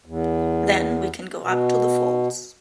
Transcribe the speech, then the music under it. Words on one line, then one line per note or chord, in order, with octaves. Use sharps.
Then we can go up to the falls.
E2
B2